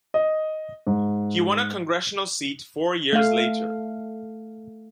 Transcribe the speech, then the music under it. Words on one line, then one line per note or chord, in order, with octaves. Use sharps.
He won a congressional seat four years later.
D#5
G#2
A3 F5